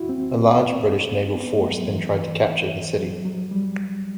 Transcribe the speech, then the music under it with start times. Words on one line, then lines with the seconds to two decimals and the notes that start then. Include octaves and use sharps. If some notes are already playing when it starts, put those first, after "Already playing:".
A large British naval force then tried to capture the city.
Already playing: E4 F#4
0.09 C4
1.35 B3
1.54 A3
1.72 F#3
1.89 E3
2.97 F#3
3.25 F#3
3.51 G3